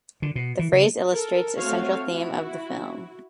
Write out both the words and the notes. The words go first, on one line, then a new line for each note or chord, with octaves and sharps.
The phrase illustrates a central theme of the film.
D3
B2
E3
C#3
A4 A#4
A3 C4 F#4 C#5 F5
E4 F#4